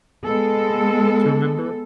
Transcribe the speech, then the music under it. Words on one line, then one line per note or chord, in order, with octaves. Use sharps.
to remember,
G#3 B3 A4